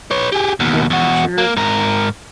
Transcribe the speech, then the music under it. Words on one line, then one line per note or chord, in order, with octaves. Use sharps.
But I'm sure
B4 C#5
G4 G#4
D#2 B2
E2 F#4
A#3
G#2 A#4